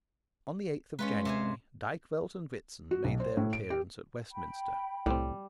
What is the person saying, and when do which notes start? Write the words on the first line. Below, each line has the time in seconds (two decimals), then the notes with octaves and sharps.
On the eighth of January Dykvelt and Witsen made their appearance at Westminster.
0.99 G#3 C#4 F4 B4
1.25 C3 C5 G#5
2.91 F#4
3.04 B1
3.20 C5
3.37 A2
3.53 D7
3.70 G4
4.32 G5 B5
5.06 C2 A2 G3 C4